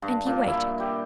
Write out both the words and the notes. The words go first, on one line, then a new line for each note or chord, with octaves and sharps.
And he waited.
G2
A#2
E4
G4